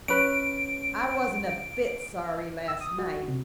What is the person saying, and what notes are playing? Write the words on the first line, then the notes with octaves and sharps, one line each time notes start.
I wasn't a bit sorry last night.
C#4 B4 D7
E6
D#6
F#4
C3